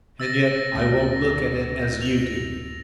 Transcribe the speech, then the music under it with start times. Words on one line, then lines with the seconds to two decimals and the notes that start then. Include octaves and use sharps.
And yet I won't look at it as you do.
0.20 E6 A6 A#6
0.75 D2 A#6
2.01 F7 F#7